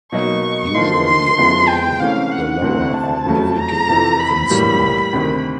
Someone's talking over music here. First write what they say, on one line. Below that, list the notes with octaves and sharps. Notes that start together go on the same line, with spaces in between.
Usually only the lower are navigable in summer.
B2 F#3 A#3 D#4 C#6
D3 F3 A#3 D#4 C6
C6
C#3 F3 G#3 B3 E4
G5
C3 E3 A3 C#4 F5
F#5
D2 C3 E3 A3 C4
A5
F2 C#3 F#3 A3
A#5
F2 C3 E3
B5
A2 E3 G3 A#3
D2 C3 D#3